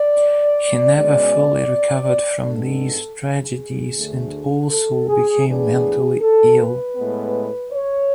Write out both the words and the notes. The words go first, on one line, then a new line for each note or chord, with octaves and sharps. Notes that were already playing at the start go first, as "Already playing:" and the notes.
He never fully recovered from these tragedies and also became mentally ill.
Already playing: D5
B2 G#3 C#4 D5
G#2 G#3 B3 D4 A4
G#4
D2 D3 A3 D4
A4
G#4
A2 E3 B3 D4 G#4
A4
B4
A2 G#3 B3
C#5